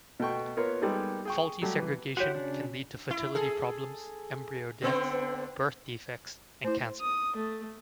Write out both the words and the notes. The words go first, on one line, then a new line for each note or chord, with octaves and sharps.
Faulty segregation can lead to fertility problems, embryo death, birth defects, and cancer.
B2 A3 G5 C#6
A#3 B3 F4 A#4 B4 C#5
G3 G#3 A#3 B3 D#4 A4
G#4 G5 C#6
F#3 G3 A3
E3
E4 F#4 G4 C#5 F#5
C#3 D4
E4
G#4 A4
D3 B3 C4
A3 E4 C5
D#6
A3